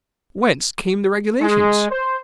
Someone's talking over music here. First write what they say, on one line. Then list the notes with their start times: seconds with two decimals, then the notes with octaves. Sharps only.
Whence came the regulations?
1.41 G#3
1.91 C5